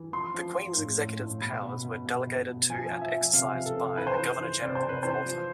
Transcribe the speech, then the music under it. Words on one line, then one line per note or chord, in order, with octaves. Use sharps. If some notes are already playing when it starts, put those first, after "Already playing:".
The Queen's executive powers were delegated to and exercised by the Governor-General of Malta.
Already playing: E3
F3 C6
F3
F3
A2
A2
A2
B2 B5
B2
B2
B2
B2
B2
F3 G#5
F3
E5
F3
C3 F5
F3
A4
C3
E3 B4
C5
E3 B4
E3
C3 D5
C5
C3
B4
E3 C5
F3